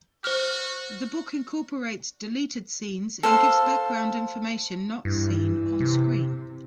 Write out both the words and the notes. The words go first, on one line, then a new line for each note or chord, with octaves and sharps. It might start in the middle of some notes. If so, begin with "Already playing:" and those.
The book incorporates deleted scenes and gives background information not seen on screen.
F#4 C5 F6
A4 C5 F5
G2 E3
C3